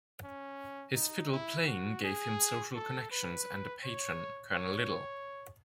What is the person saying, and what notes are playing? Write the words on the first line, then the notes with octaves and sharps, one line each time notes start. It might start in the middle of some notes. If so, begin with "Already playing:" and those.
His fiddle playing gave him social connections and a patron, Colonel Liddell.
C#4
D#4
E4
F#4
G#4
A4
B4
C#5
C#5